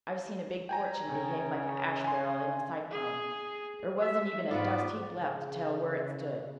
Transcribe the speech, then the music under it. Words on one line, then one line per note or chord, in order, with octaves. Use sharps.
I've seen a big fortune behave like an ash-barrel in a cyclone--there wasn't even a dust-heap left to tell where it stood!
G5 G#5 A#5
C#3
G#5 C6
G#4
E5 E6
G#2 B3 F4 F#4 B4 D5
C#3